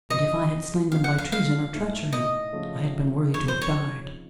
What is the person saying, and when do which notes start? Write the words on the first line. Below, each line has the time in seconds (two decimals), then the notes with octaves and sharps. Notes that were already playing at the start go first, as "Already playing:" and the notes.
And if I had slain them by treason or treachery I had been worthy to have died.
0.10 C3 F3 C4 D#4 D#5
0.91 F3 C4 F4 F5
1.04 F#5
1.18 F5
1.32 F5
1.72 A2 A3 D#4
2.13 D#5
2.53 C#3 F3 A3 C#4 F4
3.34 C#3 F3 C4 D#4 C#5
3.48 C5
3.61 C#5